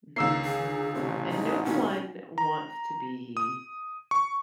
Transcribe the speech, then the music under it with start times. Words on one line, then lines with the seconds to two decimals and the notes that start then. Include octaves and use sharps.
Mhm. And no one wants to be
0.16 C#2 D#3 A#3 E6 C7
0.45 G#4
0.95 A1 C3 C#4
1.29 D#4
1.65 D#2 B2 D#3 C#4
2.38 A#5
3.37 D#6
4.11 C#6